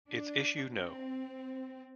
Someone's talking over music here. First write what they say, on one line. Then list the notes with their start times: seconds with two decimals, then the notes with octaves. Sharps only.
Its issue no.
0.11 D4
0.73 C4